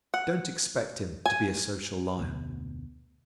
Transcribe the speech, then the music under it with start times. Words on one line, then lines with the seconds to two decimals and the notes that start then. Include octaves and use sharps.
Don't expect him to be a social lion.
0.14 F#5
1.26 G#5
2.18 F1 D2 B2